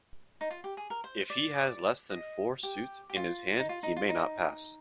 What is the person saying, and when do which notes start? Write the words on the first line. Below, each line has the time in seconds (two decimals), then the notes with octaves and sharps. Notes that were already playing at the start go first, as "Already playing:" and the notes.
If he has less than four suits in his hand, he may not pass.
0.41 D#4
0.51 F4
0.64 G4
0.77 G#4
0.90 A#4
1.04 C5
1.30 D5
2.10 D#5
2.63 G4
3.10 G4
3.16 F4
3.59 D#4
3.69 F4
3.83 D#4
3.97 F4
4.09 D#4